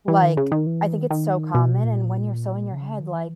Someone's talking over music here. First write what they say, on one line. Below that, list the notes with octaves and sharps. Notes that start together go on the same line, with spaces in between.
like I think it's so common, and when you're so in your head, like,
E3
D#3
C#3
D#3
E3
D#3
D#3
B2
A#2
C#3
D#3
E3